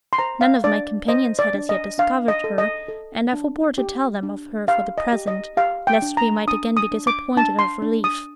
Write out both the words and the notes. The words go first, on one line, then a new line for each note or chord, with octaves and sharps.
None of my companions had as yet discovered her, and I forbore to tell them of her for the present, lest we might again be disappointed of relief.
C6
C5 A#5
F5
D4 D5
C5 D#5
D5
D4
D#5
D4 F5
D#5
A4
D#5
A4
D4
G4
D4
G4 F5
D#5
G4
D#5
G4 F5
G5
D4
A#5
D4 D#6
D#6
D4
D6
D4 A5
C6
D4
D#6